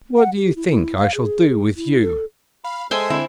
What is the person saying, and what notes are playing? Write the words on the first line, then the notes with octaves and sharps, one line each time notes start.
What do you think I shall do with you?'
F#5
G4
E4
E4
F5
G#4
E4
A4
F5 B5
G#3 A4 C5 E5 G5 G#5 D#6
D3 C4 E4